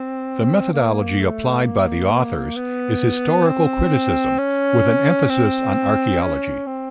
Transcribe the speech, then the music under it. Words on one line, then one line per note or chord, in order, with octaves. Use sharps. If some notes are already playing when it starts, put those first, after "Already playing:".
The methodology applied by the authors is historical criticism with an emphasis on archaeology.
Already playing: C4
A#3
A3
A#3
B3
C4
C#4
C4
C#4
C4